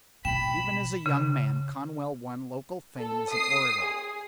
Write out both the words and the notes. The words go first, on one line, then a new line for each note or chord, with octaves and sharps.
EVEN as a young man Conwell won local fame as an orator.
A1 B2 G5 B5 E7
C#3
A4
D#6 C7
G#4